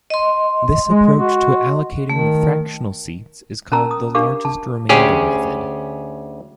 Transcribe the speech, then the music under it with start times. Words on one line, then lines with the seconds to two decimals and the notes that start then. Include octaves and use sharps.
This approach to allocating the fractional seats is called the largest remainder method.
0.10 D#5 C6
0.89 G#3
1.16 F#4
2.10 D#3 A3
3.72 C#4 A#4 A5 A#5 E6
3.91 D#6
4.15 D4 G4 A#4 F5 D6
4.45 A5
4.89 D2 C#4 G4 G#4